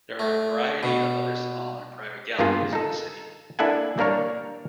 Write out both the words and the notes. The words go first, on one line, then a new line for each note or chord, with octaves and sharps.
There are a variety of other small and private galleries in the city.
A3
B2
G2 A#3 B3 F4 G#4
D#4 A4
A#3 D4 E4 A4 F#5 G#5
G3 A#3 D4 A#4 C#5